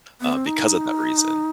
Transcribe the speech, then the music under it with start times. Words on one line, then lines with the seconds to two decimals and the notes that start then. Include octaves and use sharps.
uh, because of that reason,
0.21 B3
0.33 C4
0.46 D#4